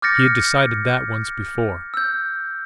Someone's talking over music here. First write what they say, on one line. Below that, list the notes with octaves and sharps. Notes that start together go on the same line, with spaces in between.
He had decided that once before!
D6 F6 G6 A6 A#6 C#7
E6 G6